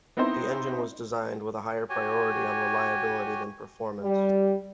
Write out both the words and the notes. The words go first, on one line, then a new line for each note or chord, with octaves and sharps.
The engine was designed with a higher priority on reliability than performance.
B3 C4 D#4 E4 C5
F#4 G4 C#5 G#5
G3